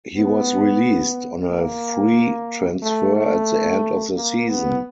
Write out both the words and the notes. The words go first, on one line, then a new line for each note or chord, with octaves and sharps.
He was released on a free transfer at the end of the season.
B3
A#3
A3
A3
A#3
B3